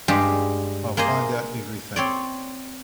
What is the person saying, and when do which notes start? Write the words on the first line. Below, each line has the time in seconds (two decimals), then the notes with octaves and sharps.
I'll find out everything.
0.08 G2 G#3 G4 F5
0.97 A#3 G#4 C5 D#5
1.96 C4 C#5 D5